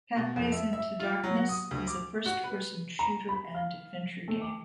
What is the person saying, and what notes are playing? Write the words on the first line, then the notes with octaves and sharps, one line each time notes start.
"Pathways into Darkness" is a first-person shooter and adventure game.
B2
F2
E5
E5
F4
F#3
F#5
D#6
D2
D6
F#4
B4
A#5
B5
F5
A3
D6